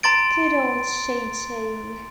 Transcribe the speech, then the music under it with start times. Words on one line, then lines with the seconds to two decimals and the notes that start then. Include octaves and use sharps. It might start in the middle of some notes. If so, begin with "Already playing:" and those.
Good old Chee-Chee!
0.03 A#5 C6 A6 D7